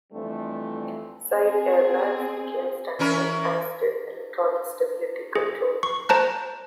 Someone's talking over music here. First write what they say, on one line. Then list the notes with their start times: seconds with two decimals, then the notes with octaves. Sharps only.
Side airbags became standard, as did electronic stability control.
0.12 F2 E3 G3 A3 C4 D4
1.34 C4 G#4
2.99 E3 C#4 A#4
5.35 G#4
5.83 C#6
6.09 C5 A5 A#5 F#6